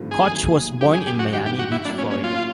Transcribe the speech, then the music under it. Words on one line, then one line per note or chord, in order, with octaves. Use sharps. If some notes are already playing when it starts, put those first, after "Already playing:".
Kohn was born in Miami Beach, Florida.
Already playing: G#1 G2 D3 F3 A3
G#4
D#2 D#3 F#3 A3
F#2 C#3 F#3 G4
G#4
G4
F#4
G#1 G2 D#3 G3 G4
G4
F#4
E4
A2 F#3 A#3 D4
C#4
C#4
F4